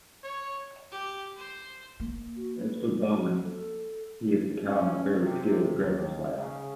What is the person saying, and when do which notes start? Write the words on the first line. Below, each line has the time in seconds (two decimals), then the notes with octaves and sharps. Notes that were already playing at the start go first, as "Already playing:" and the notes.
As for Bowen, he has become a very skilled dragonslayer.
0.24 C#5
0.92 G4
1.37 C5
2.00 A#3
2.36 F#4
2.57 B4
2.98 D5
3.12 F#4
3.44 A4
4.64 C#4
5.19 C3
5.78 D#2
6.37 C#3